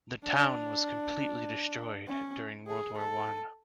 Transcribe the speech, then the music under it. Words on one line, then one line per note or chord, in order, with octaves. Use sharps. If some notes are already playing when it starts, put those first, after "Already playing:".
The town was completely destroyed during World War One.
D4
C#4
G#4
A4